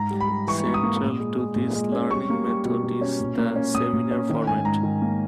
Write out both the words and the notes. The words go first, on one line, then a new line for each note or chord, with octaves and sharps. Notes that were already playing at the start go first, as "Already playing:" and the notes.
Central to this learning method is the seminar format.
Already playing: G#2 A#5
G3
B5
G3
E3 C#6
G#2
D#6
A#3
A#2
G#3
G#3
A#2
G#3
C#4
G3 C#6
A#3
G3
B2
B2
C#4
A#2
A#3
C#4
A#2 D#6
A#2
C#4
D#3
G#2 G#5
G#2 A#5
D#3
A#3